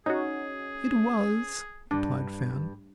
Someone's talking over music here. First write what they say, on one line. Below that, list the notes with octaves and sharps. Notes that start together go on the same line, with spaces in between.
"It was," replied Fan.
C#4 D#4 F#4 G#4
G2 D4